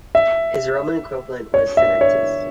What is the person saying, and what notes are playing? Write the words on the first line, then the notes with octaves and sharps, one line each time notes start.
His Roman equivalent was Senectus.
E5
C#5
E5
C#5